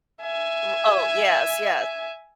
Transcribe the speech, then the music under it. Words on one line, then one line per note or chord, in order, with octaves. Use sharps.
R Oh, yes. Yes.
E5 G#5